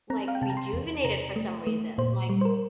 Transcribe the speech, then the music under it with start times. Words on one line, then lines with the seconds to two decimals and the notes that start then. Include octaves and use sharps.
Like rejuvenated for some reason. Like,
0.10 C4 A#5
0.28 F5
0.35 G5
0.42 C3 A5
0.50 A#5
0.57 C6
0.73 E2
1.04 C3 A#5
1.36 A3
1.67 A3
1.98 A#2 C5
2.29 G3
2.41 C5
2.45 A#4